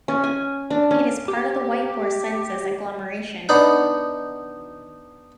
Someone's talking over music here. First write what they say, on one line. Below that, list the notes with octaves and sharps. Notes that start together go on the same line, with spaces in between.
It is part of the Whitehorse Census Agglomeration.
C#4
G#5
D4
C#4
G4
B3 D4 D#4 F#5